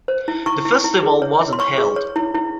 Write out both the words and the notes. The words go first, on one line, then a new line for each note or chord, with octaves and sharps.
The festival wasn't held.
C5
E4
E4 C#6
E4
E4
G#4
C#5
E4
C6
C#5 C#6
G#4
C#5
E4
E4